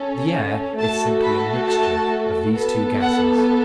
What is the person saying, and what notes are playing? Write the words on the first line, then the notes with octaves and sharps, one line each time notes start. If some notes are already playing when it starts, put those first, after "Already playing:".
The air is simply a mixture of these two gases.
Already playing: C#4 A4
A3 F#4 A4 A5
B5
A5
B3 A4
F#5